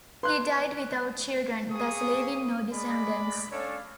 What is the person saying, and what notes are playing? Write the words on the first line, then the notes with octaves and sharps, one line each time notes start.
He died without children, thus leaving no descendants.
B4 C6 F#6
A#3 G4 G#4 C#6 D#6
G#3 D5 D#5 B5
C#4 D4 A4 C#5 D5 F5